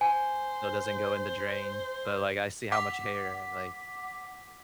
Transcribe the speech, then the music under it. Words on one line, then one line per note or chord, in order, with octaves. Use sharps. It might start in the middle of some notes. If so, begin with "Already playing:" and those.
So it doesn't go in the drain, but, like, I see how much hair and, like
C5 G#5
F#5 D6 B6